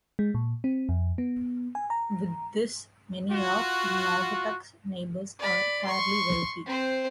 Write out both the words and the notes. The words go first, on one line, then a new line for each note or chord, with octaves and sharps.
With this, many of Naugatuck's neighbors are fairly wealthy.
G#3
A#2
C4
F2
B3
G#5
A#5
F4 F#4
D5 B5
C6 C#6
C4 C5